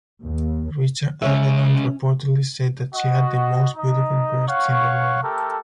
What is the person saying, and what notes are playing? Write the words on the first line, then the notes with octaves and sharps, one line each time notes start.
Richard Avedon reportedly said that she had "the most beautiful breasts in the world".
D#2
C#3 G#3 C#4 C#5 E5
F#4 D#5
D#4 D#5
C#5 F5 F#5 C#6
A3 G4 A4 A#4